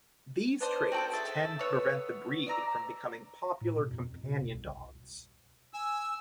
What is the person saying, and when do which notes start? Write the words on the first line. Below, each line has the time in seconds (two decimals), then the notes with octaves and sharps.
These traits tend to prevent the breed from becoming popular companion dogs.
0.60 B3 D4 C5
0.92 C4 F#4 A4 G5
1.12 G#4 A4 E5
1.59 B3 C#5 E6
2.46 D5 E5 A#5 E6
3.61 A2
3.78 B2
3.91 F2
4.12 F2
4.23 B2
4.41 F#1
4.54 C2
5.74 G#5 E6